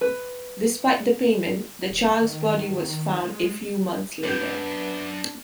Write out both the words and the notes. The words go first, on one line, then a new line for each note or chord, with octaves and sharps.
Despite the payment, the child's body was found a few months later.
B4
D#1
D#3
G#3
F#2 B3 D4 D5 G5